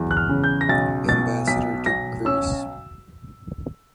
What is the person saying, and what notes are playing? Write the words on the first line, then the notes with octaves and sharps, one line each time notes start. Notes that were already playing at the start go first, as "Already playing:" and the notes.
Ambassador to Greece.
Already playing: E2 F#3
F#6
F6
C#3
G6
A#6
B1 A6
B2 A6
B1 B6
B1 A#6
C#4 E6